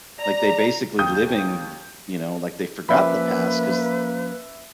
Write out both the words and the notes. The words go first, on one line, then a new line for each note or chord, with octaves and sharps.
like, they basically living, you know, like, they forgot the past 'cause
D5 A#5
D#2 G5 D#6 G6
F3 A#3 C#4 B4 E5 B5 D6